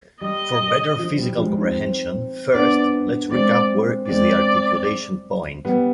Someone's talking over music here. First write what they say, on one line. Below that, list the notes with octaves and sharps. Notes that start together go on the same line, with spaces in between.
For better physical comprehension, first, let’s recap where is the articulation point.
G3 D#5
F3
G3
F3 G#3
C4 D#4
B3 D4 D5
G#3 C4 D5
G#3 C4 D5
G3 B3